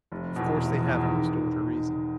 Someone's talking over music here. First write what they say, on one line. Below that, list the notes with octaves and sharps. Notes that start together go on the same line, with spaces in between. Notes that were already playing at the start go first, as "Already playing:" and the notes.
Of course, they haven't restored her reason.
F1
E2 B2
F1
E2 B2
D#3